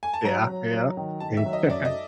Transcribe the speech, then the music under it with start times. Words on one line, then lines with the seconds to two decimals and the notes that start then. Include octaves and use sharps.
Yeah, yeah. Yeah.
0.03 G#5
0.14 A5
0.24 F#3 A#5
0.49 F#3
0.73 F#3
0.97 D#3
1.20 D#3 A5
1.37 E5
1.46 F#3
1.53 D#5
1.69 F#2 D5
1.85 D#5